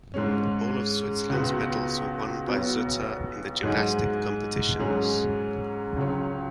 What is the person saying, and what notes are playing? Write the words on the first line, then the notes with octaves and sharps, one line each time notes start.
All of Switzerland's medals were won by Zutter in the gymnastics competitions.
G#2 G#3 C#4
C#2 B2 B3 F#4
B1 B2 B3 F#4
G#2 F#3 D#4 G#4
G#2 F#3 C#4 G#4
C#2 C#3 F#3 C#4